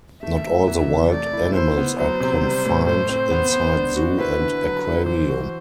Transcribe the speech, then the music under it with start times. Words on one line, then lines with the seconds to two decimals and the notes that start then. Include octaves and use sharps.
Not all the wild animals are confined inside Zoo and Aquarium.
0.23 A3 E5
0.46 F#3
0.68 E3
0.90 C3
1.11 A3 D5
1.33 E4
1.55 E4 C5
1.77 B3
1.99 F#3 C5
2.20 C3
2.43 G3
2.65 A2
2.87 A2 C5
3.09 C4
3.31 B3
3.53 B3
3.75 D4
3.97 F#4
4.18 E4 B4
4.40 D3
4.62 F#3
4.85 F#3
5.06 E3 C5
5.29 F#4